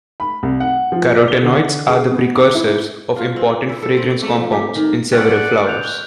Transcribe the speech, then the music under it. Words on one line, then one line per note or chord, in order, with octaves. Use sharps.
Carotenoids are the precursors of important fragrance compounds in several flowers.
B5
C2
F#5
F3
D5
G7
D3
G#4
B3
D6
E4
F4
C4
E4
A4
C4
A3
F3
G4
D#3
C2 D5 F#5 F#6
F6 G6 F7